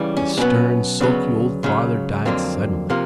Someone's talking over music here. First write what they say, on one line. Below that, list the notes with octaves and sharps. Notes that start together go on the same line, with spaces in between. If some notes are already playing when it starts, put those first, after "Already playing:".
His stern, sulky old father died suddenly.
Already playing: C#2 C#3 E3 G3
C#4
B2 F#3 B3 C#4
D2 C#3 F#3 B3
C#2 C#3 F#3
F2 D3 F#3 A#3 C4
C3 F3 A#3